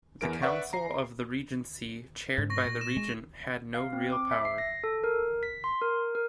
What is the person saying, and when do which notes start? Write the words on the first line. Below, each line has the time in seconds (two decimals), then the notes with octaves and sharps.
The Council of the Regency, chaired by the regent, had no real power.
0.21 E2 E3 A#4 D7
0.42 B4 D5 E5 F#5 C#6
0.73 A#5 C7
2.38 G#2
2.50 C#6 A#6
2.65 A#2
2.81 E7
2.97 G#3
3.74 F5
3.93 C4
4.12 D6
4.31 E5
4.45 C7
4.58 A#6
4.84 A4
5.04 A#4
5.43 B6
5.64 C6
5.81 A#4
6.15 A#4